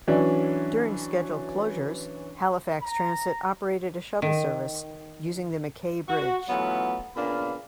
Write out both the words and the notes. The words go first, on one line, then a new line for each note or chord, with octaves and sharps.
During scheduled closures, Halifax Transit operated a shuttle service using the MacKay Bridge.
E3 F#3 C#4 D4
A#5
D#3
F#4
E3 F#3 A3 B3 C#4 F4
A#2 C#3 B3 D4 F5 B5